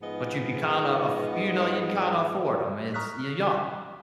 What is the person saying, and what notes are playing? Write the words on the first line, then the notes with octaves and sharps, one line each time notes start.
but you could kinda af you know, you could kinda afford 'em. It's you're young.
G#2 F3 B3 G#4 D#5
A#5 C#6 D#6 F6 F#6 B6